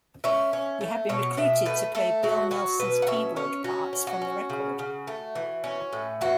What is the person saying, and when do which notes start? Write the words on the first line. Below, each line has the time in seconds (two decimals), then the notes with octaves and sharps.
He had been recruited to play Bill Nelson's keyboard parts from the record.
0.24 C#4 E5
0.53 C#4
0.81 A3
1.09 B2 C#5
1.37 B2 E5
1.65 A3 B4
1.95 A3 A4
2.23 F#3 F#4
2.51 F#3 F#4
2.80 B2 B4
3.02 F#5
3.07 C#4 E5
3.36 C#4 C#5
3.64 C#4 F#4
3.93 C#4
4.07 F#4
4.22 C#4
4.50 C#3
4.79 C#3
5.07 A3
5.35 E3
5.64 C#4
5.93 A2
6.21 E3 F#4